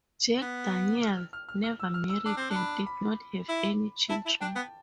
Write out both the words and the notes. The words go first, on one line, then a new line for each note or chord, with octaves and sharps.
Jack Daniel never married and did not have any children.
B3
F6
F6
F6
F6
F6
E6
F6
E6
D4 D6
C4
D4
B5
B5
E4
E4 A5
E4
D4 G5
B3